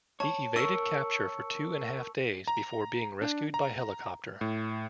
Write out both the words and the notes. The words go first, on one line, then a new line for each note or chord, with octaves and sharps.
He evaded capture for two and a half days before being rescued by helicopter.
C#5 A5
A#4 C#5 C#6 E6 C#7
A#5
D4
A#5
A2